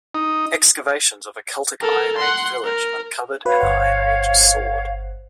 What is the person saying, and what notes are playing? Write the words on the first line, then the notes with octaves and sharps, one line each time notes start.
Excavations of a Celtic Iron Age Village uncovered an iron age sword.
D#4
A4 A#4
F#5 C6
A#4
F#4 B4 C#5 F5
G1 C5 F#5